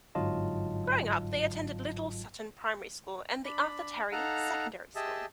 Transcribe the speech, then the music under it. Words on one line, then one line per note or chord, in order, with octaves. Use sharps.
Growing up, they attended Little Sutton Primary School and the Arthur Terry Secondary School.
G1 G#2 F#3 F4 D#5 A5
D4 B5
D#4 A4 F5 F#5 A#5
G4 G#4 D#5 E5 A5